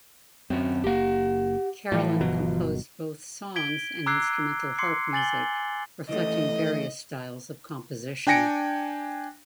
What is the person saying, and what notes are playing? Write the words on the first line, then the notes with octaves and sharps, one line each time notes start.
Carolan composed both songs and instrumental harp music, reflecting various styles of composition.
F#2 C4 F#4
F#1 A#3 G4 F#5
A2 E3 F3 F#4
G1 B2 F#3
G#6 B6 D7 G7
A#5 D6 E6 F#6 G#6 C7
C6 D6 G#6 C7 C#7
G#5 A6 F#7 G7
D#3 E3 A3 D#5
D4 G5 G#5 A#6 C#7 D7